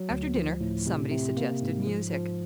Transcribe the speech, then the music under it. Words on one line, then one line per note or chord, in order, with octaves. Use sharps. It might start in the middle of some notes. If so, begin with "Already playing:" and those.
After dinner somebody suggested music.
Already playing: F#3
D2
F3
A2
C3
C3
A#3
G#2
F3
F3